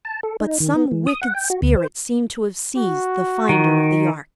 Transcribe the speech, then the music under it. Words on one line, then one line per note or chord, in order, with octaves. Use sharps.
But some wicked spirit seemed to have seized the finder of the ark.
A5
A4
D#4
D#3
B3
E3
D#6
F#5
G5
F#4
D2
C5
F#4
D#3